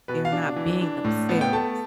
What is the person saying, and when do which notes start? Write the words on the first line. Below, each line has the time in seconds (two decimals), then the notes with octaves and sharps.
they're not being themselves,
0.08 B2 B4
0.25 F5
0.32 D4
0.56 E3
0.81 D4
1.05 A2
1.29 B3
1.41 G5
1.53 A3 A5